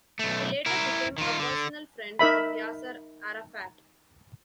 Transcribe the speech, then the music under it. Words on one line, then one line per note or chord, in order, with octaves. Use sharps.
He later became a personal friend of Yasser Arafat.
B1 A3
E4 A#4
D#3 F4
D3
D#4 A#4 E5 B5